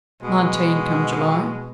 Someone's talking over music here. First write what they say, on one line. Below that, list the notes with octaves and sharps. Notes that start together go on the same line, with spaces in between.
'Nineteen, come July.'
B2 G#3